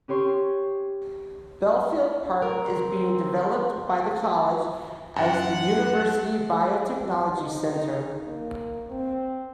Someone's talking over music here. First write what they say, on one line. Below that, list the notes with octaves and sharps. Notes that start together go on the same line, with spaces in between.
Belfield Park is being developed by the college as the University Biotechnology Centre.
C#4 G4 C#5 C6
C4 A#4
F#2 F#5
D#4
A#3
C4